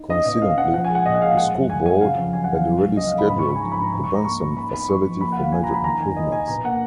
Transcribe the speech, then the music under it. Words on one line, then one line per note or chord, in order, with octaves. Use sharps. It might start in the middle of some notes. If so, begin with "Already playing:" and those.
Coincidentally, the School Board had already scheduled the Benson facility for major improvements.
Already playing: D#4
C#4 D#5
B2 D#5
C#4 F5
C#4 F#5
F3 F#5
G#5
G#3
F#5
A#2 D#5
F#5
G#3 F5
G#3 F#5
F#2
F#2 G#5
G#3 G#5
C#3 F5
F2
F#3 G#5
F#5
F2
F5
F#3
C#2
C#3 D#5
F5
C#3
B5
G#2 B5
C#6
D#4 B5
G#5
F3 A#5
B5
G#2
A#5
G#2 B5
C#6
G#2
A#5
A#3 C#6
C#4 C#6
D#4 B5
B3 B5
B5
F3 C#6
F3
A#3 B5
F#5
C#2 F5
F4 G#5
A#5
C#2 B5
D#3 A#5
D#3 G#5
D#3 D#5
D#2 G#5
B2 A#5
A#3 F#5